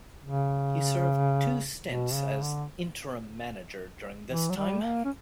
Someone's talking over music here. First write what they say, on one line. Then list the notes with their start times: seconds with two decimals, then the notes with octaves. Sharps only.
He served two stints as interim manager during this time.
0.24 C#3
1.87 B2
2.13 C#3
2.41 D3
4.29 E3
4.50 F#3
4.57 G3
4.83 A#3
5.05 C#4